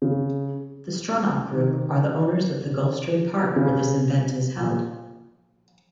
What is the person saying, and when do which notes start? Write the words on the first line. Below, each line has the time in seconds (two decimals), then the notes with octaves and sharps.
The Stronach Group are the owners of Gulfstream Park where this event is held.
0.02 C#3
1.53 D#3
3.56 C#3
4.58 A#2